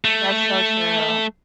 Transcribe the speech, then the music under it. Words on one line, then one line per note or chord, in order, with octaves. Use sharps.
That's so true.
A3